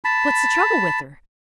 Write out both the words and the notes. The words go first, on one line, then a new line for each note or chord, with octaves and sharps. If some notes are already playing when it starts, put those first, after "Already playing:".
"What's the trouble with her?"
A5 B5